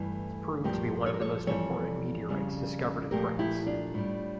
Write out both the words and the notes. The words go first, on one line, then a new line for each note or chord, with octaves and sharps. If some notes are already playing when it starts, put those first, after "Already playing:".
It has proved to be one of the most important meteorites discovered in France.
Already playing: G2 E3 A3
G2 F3 A3 G4 A#4
C#5
A#4
A4 C#5
F2 E3 G3 A4 C#5
F2 C#3 G3
A#2 F3 A3 G4 A#4
E4 G4
D4 F4
A2 G3